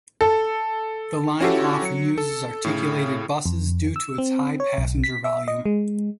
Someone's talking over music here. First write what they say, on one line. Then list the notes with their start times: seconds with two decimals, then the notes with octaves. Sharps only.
The line often uses articulated buses due to its high passenger volume.
0.21 A4
1.41 C#4 E4 F#4 G4 A4
1.82 F#3 C#7
2.18 A4
2.65 A2 C#3
3.46 F2
3.96 E6
4.18 C4
4.60 C#5
4.78 B1
5.04 B6
5.24 E5
5.48 D#5
5.66 G#3